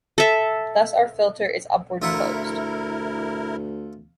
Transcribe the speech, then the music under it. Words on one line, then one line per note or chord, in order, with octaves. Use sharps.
Thus our filter is upward closed.
A4 E5
D2 E4 F4 A#4 E5 F#5